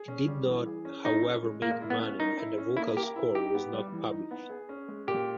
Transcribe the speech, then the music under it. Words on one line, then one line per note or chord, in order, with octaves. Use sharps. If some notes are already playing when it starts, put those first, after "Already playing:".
It did not however make money and the vocal score was not published.
Already playing: G#4
C#4
G3
E3
G#4
C#4
D#4 E4
C#4
G#3
A#2 A#3
E4
B3
C#4
D#4 A#4
E4
C#4
A#3 E4
G4 A#4
E4
D#4 G4
B3
G3
E3
D#4
B3
G#4
C#4
G#3
A#2 G4